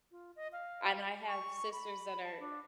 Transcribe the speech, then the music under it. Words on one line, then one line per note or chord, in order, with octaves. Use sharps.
and I have sisters that are
F4
D#5
F5
C#6
B5
A5
D4